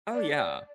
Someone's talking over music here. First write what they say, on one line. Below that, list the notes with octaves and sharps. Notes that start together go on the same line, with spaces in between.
Oh, yeah.
D5